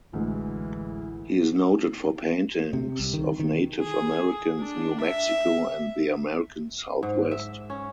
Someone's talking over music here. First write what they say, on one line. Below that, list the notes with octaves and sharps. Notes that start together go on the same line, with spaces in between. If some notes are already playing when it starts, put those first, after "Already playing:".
He is noted for paintings of Native Americans, New Mexico and the American Southwest.
A1 D2 E3 G#3
C3
C2
D#3
D#3
G#4
D4
E5
G#2
E5
C#4